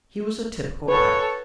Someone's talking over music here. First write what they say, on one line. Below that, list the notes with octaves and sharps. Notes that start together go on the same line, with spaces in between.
He was a typical pirate.
A4 B4 C#5